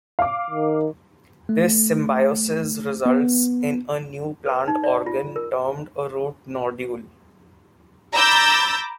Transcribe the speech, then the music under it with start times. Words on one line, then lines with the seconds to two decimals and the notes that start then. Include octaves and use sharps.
This symbiosis results in a new plant organ termed a root nodule.
0.19 F5 D6
0.50 D#3
1.49 A3
3.06 B3
4.46 B4
4.68 D#4
4.84 D5
5.06 F4
5.36 A#4
8.14 A#5 B5 D6 E6 G6 A6